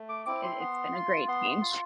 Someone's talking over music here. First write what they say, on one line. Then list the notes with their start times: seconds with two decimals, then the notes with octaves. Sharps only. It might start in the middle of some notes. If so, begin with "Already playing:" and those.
it it's been a great change.
Already playing: A3
0.09 D6
0.26 C4 E4 D6
0.43 C6
0.59 B3
0.94 F4
1.28 B3 C6
1.51 C6
1.61 F4